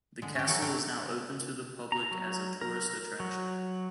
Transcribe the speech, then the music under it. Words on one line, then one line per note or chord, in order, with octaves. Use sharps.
The castle is now open to the public as a tourist attraction.
D3 G#3
C#4 G4
F#3 A3 F#4 G4 A4 D5
A3 D4 G4
A#5
F#3
A#4
F#3